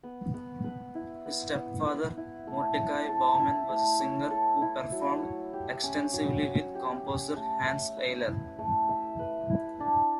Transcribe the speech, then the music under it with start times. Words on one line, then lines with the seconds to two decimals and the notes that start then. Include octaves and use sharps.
His stepfather Mordecai Bauman was a singer who performed extensively with composer Hanns Eisler.
0.03 B3
0.34 B3
0.64 B4
0.95 E4
1.26 B3
1.56 B3
1.86 B4
2.17 E4
2.47 A3
2.77 C#5
3.09 A4
3.39 E4
3.69 A3
4.00 C#5
4.31 A4
4.61 E4
4.92 F#3
5.22 C#5
5.53 G4
5.83 C#4
6.14 F#3
6.45 C#5
6.75 G4
7.06 C#4
7.36 A3
7.66 E5
7.97 B4
8.27 E4
8.59 A3
8.89 E5
9.19 B4
9.50 E4
9.80 D4